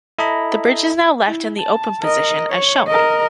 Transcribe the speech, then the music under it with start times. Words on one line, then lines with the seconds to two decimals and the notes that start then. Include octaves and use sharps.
The bridge is now left in the open position as shown.
0.19 E4 A4 D#5 A#5 B5
1.27 E4
1.60 A5
2.01 A#4 D#5
2.50 C#5
2.87 A#4 D#5